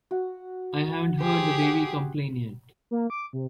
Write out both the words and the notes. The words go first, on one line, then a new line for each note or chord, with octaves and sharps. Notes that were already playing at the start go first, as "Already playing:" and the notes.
I haven't heard the baby complain yet.
F#4
G4 G#4 C5
C#5 F#5
A#3
D6
C3